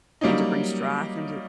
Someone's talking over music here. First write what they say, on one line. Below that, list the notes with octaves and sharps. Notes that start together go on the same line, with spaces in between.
and to bring strife into
F#3 G3 A#3 C#4 D#4